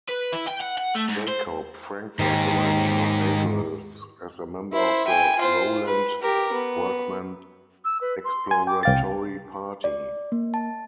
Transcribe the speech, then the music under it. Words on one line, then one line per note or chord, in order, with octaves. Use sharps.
Jacob Frankfort arrived in Los Angeles as a member of the Rowland-Workman exploratory party.
B4
E4
G5
F#5
F#5
A3
G#2
C5
G#2 D#3 G4
E4 C5
G5 G#5
F4 C5
B4
G4 A#4
B3
E6
B4
C6
G#5
G5 D6
C2 F5 G5 A6
D5
A#3
A5